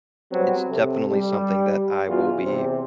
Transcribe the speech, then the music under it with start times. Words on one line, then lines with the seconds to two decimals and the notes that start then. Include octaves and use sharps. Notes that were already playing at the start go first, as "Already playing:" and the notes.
it's definitely something that I will be
0.32 F#3 G3 B3 C4
0.69 C3 A4
1.10 G3
2.08 E2 B2 F4 F#4
2.43 E2 C3